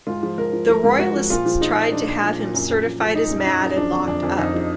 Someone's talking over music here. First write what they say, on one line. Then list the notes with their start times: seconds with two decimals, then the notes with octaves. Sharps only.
The royalists tried to have him certified as mad and locked up.
0.07 G#2 F4
0.23 F3
0.38 G#2 A#4
0.53 F3
0.69 F3 A#4
0.84 G#2
0.99 G#2 F#4
1.16 F3
1.30 A#2 F4
1.46 F3
1.61 F3 D#4
1.77 A#2
1.92 F3 D4
2.07 A#2
2.23 F3
2.38 A#2
2.54 F#2
2.70 F#2
2.85 F3
3.00 F3
3.15 F3 D#4
3.30 F#2
3.46 F#2 D#4
3.61 F#2
3.77 F3 D4
3.92 F2
4.07 F2 D4
4.23 F2
4.39 F2 D#4
4.54 F3